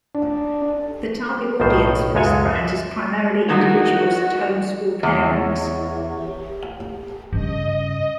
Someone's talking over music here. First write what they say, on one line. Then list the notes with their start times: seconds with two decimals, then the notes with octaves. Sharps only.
The target audience for this brand is primarily individuals and home school parents.
0.15 D4
1.60 B1 A2 D#3 C5
2.15 C#2 F#2 G#3 A4 C#5 G#5
2.56 E5
3.48 G2 D#3 E4 F#4
5.03 E2 C#5
7.33 G2 C#3 D#5